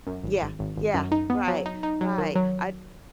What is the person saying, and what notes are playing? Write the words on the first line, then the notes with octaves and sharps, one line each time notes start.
Yeah, yeah, right, right I It's
F#2
G#1
G#1
G#1
G#1
F#2
D#4
B3
F#3
D#4
D#4
F#3
D#3
F#3